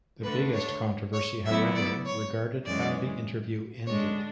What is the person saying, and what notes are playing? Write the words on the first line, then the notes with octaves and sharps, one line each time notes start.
The biggest controversy, however, regarded how the interview ended.
D2 D3 A3 D4 B4
C#5
C#5
D2 D3 F#3 B3 E4 E5
D5
C#5
F#2 E3 G#3 C#4 D5
D3 G#3 D4 C#5